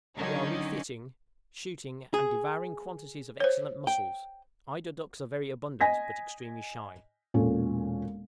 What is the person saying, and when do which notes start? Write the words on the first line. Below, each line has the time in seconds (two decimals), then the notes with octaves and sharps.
We are refitting, shooting, and devouring quantities of excellent mussels; eider ducks are very abundant, but extremely shy.
0.16 D3 D#3 F#3 C#4 D#4
2.14 G#4
3.40 C5 C#5
3.87 G5
5.81 D#5 G#5 A#6 B6
7.34 E1 A#2 C#4 A4